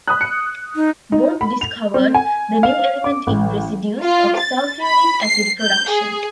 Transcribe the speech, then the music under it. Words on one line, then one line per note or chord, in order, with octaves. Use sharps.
Both discovered the new element in residues of sulfuric acid production.
B5 D#6 F#6
C#7
D#4
D#4
B5
F7
C4
G#5
F5
D6
A1
F4
A6
B5
C7
G6
G#4